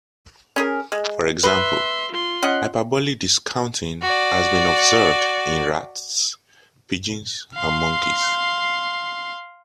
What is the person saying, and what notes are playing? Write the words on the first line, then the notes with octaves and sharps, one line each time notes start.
For example, hyperbolic discounting has been observed in rats, pigeons, and monkeys.
C#4 G#4 A#4
G#3
B4 E5 C6
F4 C6
C#4 D#5 F#5
F#4 D5
F5 C6